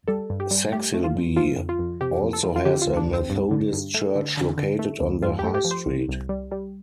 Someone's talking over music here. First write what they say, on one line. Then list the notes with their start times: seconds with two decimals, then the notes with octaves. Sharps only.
Saxilby also has a Methodist church located on the High Street.
0.08 G3 A4
0.30 G2
0.40 G4
0.51 G3
0.72 A3 G4
0.94 A3
1.04 F4
1.15 F2
1.36 F3 F4
1.58 F2
1.69 F4
1.79 F2
2.01 C3 G4
2.22 F2
2.33 A4
2.43 F3
2.56 F4
2.65 D3 G4
2.82 F4
2.87 D2
2.97 D4
3.07 D2
3.13 C4
3.30 G2
3.51 D3
3.73 G2
3.94 A3
4.15 D3
4.37 D3
4.58 D3
4.79 A3
5.01 D2
5.22 G2 F4
5.39 G4
5.44 A3
5.54 G4
5.65 F3
5.71 C5
5.86 C2
6.09 C2
6.29 G3
6.51 G3